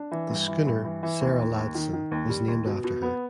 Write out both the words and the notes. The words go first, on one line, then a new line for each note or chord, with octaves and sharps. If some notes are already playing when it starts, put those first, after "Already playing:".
The schooner "Sarah Ladson" was named after her.
Already playing: D4
E3
G2
E3
G2
E3
E3
D#2
D#2
D#2
D#3
D#3
D#2
G3
D#2
B2
B2
B3